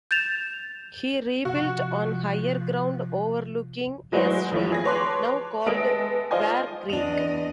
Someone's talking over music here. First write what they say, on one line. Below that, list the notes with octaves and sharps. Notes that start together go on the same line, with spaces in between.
He rebuilt on higher ground overlooking a stream, now called Ware Creek.
G6 A6 E7 F7
C3 F3 F#4
F#3 G#3 E4 F#4 B4 C5
F1 F3 E4 C#5
G#4 A#6
B4 C#5 A5 C6 D6 F#6
G#3 B3 A4 E5 D#6 D7
F4 C5 D#5 G#5
E2 D4 D#5 F7